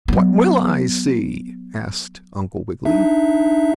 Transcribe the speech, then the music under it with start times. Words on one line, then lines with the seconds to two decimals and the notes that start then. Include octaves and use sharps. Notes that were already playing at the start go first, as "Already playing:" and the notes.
"What will I see?" asked Uncle Wiggily.
0.08 F#3 B3
2.85 D4 D#4 E5